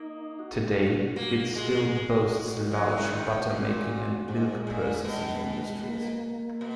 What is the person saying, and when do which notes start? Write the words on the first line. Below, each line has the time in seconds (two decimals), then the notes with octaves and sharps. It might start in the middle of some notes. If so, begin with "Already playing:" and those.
Today, it still boasts large butter making and milk processing industries.
Already playing: A#3 D#4
0.39 F#4
1.16 A#3
1.55 G#3
2.71 F#3 F#4
2.91 E4
2.99 C#3
3.11 D#3
3.50 A#2 F#4
4.27 G#2 G#3
4.67 A#2
5.04 B2
5.82 A#3
6.61 B2